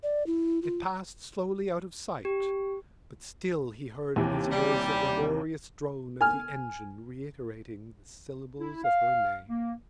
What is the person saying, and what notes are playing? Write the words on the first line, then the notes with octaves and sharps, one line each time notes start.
It passed slowly out of sight; but still he heard in his ears the laborious drone of the engine reiterating the syllables of her name.
D5
E4
F4
G4
D#2 C3 E3
G3
G#5 F6
E4
F5
A#3